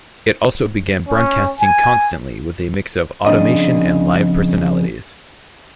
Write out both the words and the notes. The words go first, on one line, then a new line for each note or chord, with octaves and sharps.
It also began broadcasting constantly with a mix of automation and live personalities.
C#4
G#5
F2 C#3 B3 D4 D#5